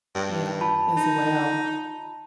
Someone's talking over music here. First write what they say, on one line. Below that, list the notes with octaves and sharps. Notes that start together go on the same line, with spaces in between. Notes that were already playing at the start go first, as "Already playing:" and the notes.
you know, as well,
G2
F4 A5 B5
D#4